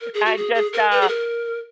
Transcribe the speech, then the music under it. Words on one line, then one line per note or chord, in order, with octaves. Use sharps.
I just, uh,
A#4
G#4
F#4
G#4
G#4
A#4
B4
G#4
A#4